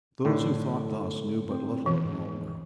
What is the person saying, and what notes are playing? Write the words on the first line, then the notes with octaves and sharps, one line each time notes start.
Those who thought thus knew but little of Marlborough.
A2 D3
C4
B2 E3
G#2